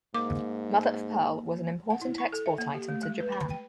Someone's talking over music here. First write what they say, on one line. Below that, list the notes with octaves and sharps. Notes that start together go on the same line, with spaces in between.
Mother of pearl was an important export item to Japan.
G#2 A#3 D6
F#5
E4
C#6
A4
E5
A#3
G4
A3
G#3
B4
B5
G5